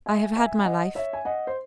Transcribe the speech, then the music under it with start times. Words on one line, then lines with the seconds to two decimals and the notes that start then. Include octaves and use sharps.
I have had my life.
0.06 E5 G#5
0.36 E5 G#5
0.60 G#5
0.65 D#5 F#5
0.95 C#5 E5
1.13 G#5
1.25 D#5 F#5
1.47 C5